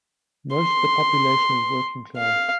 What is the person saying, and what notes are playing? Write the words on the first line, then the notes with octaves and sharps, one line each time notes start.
Most of the population is working class.
C6
F5